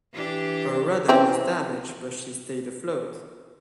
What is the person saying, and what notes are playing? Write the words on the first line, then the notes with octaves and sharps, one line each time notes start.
Her rudder was damaged but she stayed afloat.
E3 D4 G4
E3 C4 C#4